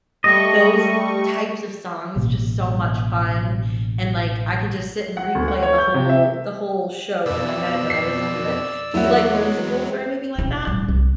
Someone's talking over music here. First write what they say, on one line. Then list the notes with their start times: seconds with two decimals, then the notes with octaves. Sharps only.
those types of songs just so much fun, and, like, I can just sit and replay the whole the whole show in my head when I listen to it. Do you like musicals or anything like that?
0.24 G3 A3 D#5 C#6
2.16 A1 B2 A#3
5.17 F#5
5.35 D2
5.48 F#5
5.63 C#5
5.78 G6
5.94 C3
6.09 E5
7.26 F2 B2 D5 E6
7.90 C7
8.94 E2 F#3 E4 F#4
9.35 G#3
10.39 B2 E4
10.67 D1 G3
10.88 C2